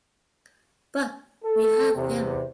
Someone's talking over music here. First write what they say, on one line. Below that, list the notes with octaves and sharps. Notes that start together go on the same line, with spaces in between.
But we have them!
A4
E2 C3